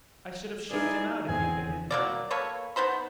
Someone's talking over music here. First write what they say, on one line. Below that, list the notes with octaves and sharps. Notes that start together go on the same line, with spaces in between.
"I should have shooked him out, if he'd been in there!"
D#4 E4 G#4 B4 D5
E2 C4 G#4 G#5
F#3 A#3 D5
A#3 A4 B4 C#5
B3 D#4 C5 B5